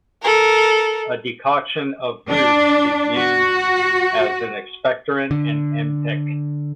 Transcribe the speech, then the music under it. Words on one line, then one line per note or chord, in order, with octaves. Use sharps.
A decoction of the roots is used as an expectorant or emetic.
A4 A#4
D4
F#4
D3